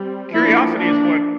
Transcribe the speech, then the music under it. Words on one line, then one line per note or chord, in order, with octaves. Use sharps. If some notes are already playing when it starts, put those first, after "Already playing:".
curiosity is what
Already playing: G3 C4
F3 A#3 D4 E4
D4